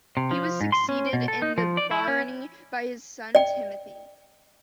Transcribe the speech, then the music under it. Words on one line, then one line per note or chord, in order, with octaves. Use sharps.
He was succeeded in the barony by his son Timothy.
C3
F3
G#2
C6
C#4
B2
A4
D#4
F3
D5
E4
C#4
D5 G5